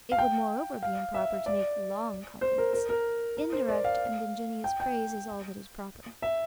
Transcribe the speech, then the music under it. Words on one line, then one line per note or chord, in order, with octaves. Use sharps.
It would moreover be improper to make long compliments; indirect, and ingenious praise, is all that is proper.
F5
G5
F5
E5
D5
C5
A#4
A#4
A#4
A#4
C5
D5
F5
G5
G5
E5